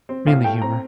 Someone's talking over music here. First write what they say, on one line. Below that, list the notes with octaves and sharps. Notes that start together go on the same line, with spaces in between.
mainly humor.
C4
A2 F5
A3 G5
C4 A#5